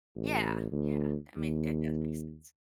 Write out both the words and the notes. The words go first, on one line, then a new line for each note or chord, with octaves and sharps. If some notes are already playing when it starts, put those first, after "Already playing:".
Yeah, yeah, that mak that does make sense.
A1
D2
D#2